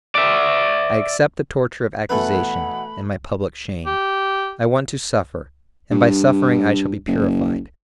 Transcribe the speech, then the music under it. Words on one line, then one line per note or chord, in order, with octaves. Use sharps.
I accept the torture of accusation, and my public shame, I want to suffer and by suffering I shall be purified.
D5 E5
B2 E3 A3 E4 B4 F#5 B5
G4
G2
F#1